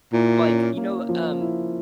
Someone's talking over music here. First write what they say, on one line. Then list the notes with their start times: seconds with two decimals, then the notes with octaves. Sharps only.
like, you know, um,
0.13 A#2 E4
0.45 C#4
0.77 A#3
1.09 F3
1.40 E4